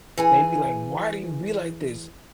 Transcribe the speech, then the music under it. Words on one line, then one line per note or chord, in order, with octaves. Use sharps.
They'd be like, "Why do you be like this?"
E3 G#4 G#5